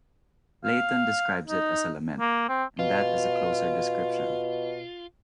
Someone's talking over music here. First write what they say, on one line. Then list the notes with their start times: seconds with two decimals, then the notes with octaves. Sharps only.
Layton describes it as a lament and that is a closer description.
0.65 F5
1.48 D#4
2.20 A#3
2.49 C4
2.79 B2 F4